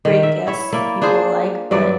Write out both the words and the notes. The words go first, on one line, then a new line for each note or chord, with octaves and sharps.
great guests and people alike, but
D#3
E5
E4 C#5 E5
A#3 E4 D5
D4 F4 G#4 C5
G2 F#3 D5